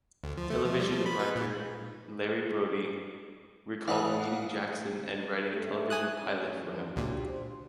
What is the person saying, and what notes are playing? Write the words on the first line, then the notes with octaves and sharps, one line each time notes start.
Television writer Larry Brody recalled meeting Jackson and writing a television pilot for him.
D2
F3
A3
F3
G3
F3
B5
B4
A#2
E3 D5 F5 F#5 D#6
A3
G#5 D#6 F#6
C#4
E2 G2 F3
C#2 A#2 D4 F#4 G4
C5